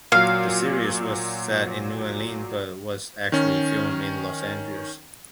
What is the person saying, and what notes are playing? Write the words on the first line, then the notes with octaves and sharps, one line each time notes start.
The series was set in New Orleans, but was actually filmed in Los Angeles.
A#2 F#3 F5
D#3 C#4